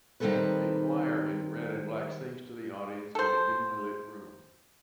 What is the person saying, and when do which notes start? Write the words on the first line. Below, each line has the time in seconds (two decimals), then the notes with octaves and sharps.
A choir in red and black sings to the audience in a dimly lit room.
0.20 D#3 G3 C4 D#4 A4 B4
3.15 A4 C5